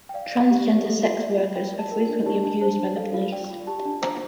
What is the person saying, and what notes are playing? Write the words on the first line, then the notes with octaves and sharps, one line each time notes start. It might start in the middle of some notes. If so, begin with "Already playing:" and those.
Transgender sex workers are frequently abused by the police.
G5
D5 F5
D5
G4
G4
A4
F4
D5
F4
F4 G5
D5
A5
A#4
D4
G4 A5
D4
C5 A5
D4
A4 F5
F4 F5
D5 G5
F4
G4 A5
D4
C5 A#5